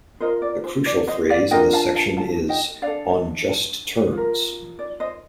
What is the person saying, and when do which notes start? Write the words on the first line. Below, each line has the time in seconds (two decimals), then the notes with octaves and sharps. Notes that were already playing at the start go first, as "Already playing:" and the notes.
The crucial phrase in this section is "on just terms".
0.20 F4 A#4 C5 D#5
0.42 D5
0.64 C5
0.86 D5
1.08 C5 D#5
1.30 D5 F5
1.51 D4 F4 A#4 D#5 G5
1.73 F5 A5
1.95 F5 A5
2.17 F5 A5
2.49 D#5 G5
2.82 D4 A4 D5 F5
4.13 F4 A#4
4.79 D5
5.00 C5 D#5